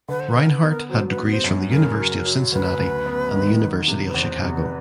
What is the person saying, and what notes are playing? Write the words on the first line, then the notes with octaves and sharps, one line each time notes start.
Reinhardt had degrees from the University of Cincinnati and the University of Chicago.
D3 B4
C5
B4
D3
A#4
B4
B3
A#4
F#3 C5
B4
B3
C5
F#2
C#3 A#4
F#3
F#3
D2 B4
D2
B3
D#3
D#3
C3
B4
E2 C5
C3
B4